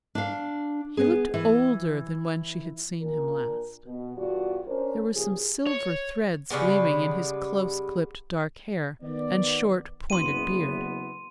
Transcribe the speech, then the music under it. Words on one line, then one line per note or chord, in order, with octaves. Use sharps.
He looked older than when she had seen him last--there were some silver threads gleaming in his close-clipped dark hair and short, pointed beard.
D4 F5
B3 G#4
E3
A#2 D4 A#4
B2
E2 G2 F4 F#4 D5
C#4 D4 A#4 C5
A#2 C#3 F3 G4 G#4
C#5
C#3 G3 G#3 B3
D#3 B3 D5
F#1 E2 B3 C6 D#7